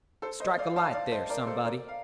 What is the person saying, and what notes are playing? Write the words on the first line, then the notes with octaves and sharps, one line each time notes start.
Strike a light there, somebody.
A4 C5
C5 D#5
D5 F5
F5 A5
D5 F5
C5 D#5
A#4 D5
A4 C5
A#4 D5
F5